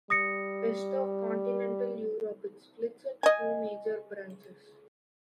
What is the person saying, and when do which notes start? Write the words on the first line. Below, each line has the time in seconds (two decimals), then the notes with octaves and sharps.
West of Continental Europe, it splits into two major branches.
0.10 G3 D#6 A#6 C#7
3.23 D#5 G#5